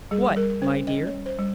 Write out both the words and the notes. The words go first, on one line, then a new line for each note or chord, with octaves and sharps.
"What, my dear?"
G3 G#4
G3 A#4
C#4 C5
C#4 D#5
C#5
G3
C5
G3